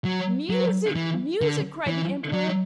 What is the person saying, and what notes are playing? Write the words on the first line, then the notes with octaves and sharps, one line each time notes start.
"Music! music!" cried the Emperor.
F#3
F#3
E3
D3
E3
F#3